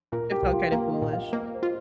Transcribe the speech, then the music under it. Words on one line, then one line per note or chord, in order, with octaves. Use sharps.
It felt kind of foolish.
A#2 A#4
G4
C2
F4
A#3 A#4
D#5
A#2
F5
A#3 D#5
C5
F4